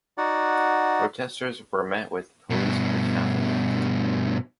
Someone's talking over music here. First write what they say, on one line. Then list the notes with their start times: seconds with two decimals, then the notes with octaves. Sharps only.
Protesters were met with police brutality.
0.18 D#4 F#4 D5 F#5
2.50 G2 B2